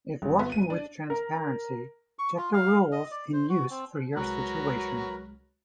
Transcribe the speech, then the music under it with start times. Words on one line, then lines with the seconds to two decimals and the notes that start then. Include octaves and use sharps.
If working with transparency, check the rules in use for your situation.
0.22 G#1
0.39 B3
0.52 D#7
0.70 D4
1.10 A#4
2.19 C#6
2.38 F4
2.53 F5
2.92 D#5
3.11 D5
3.33 C5
3.49 F#4
3.70 C4
4.16 C2 F#3 G#3 A#4 B4 A#5 F#6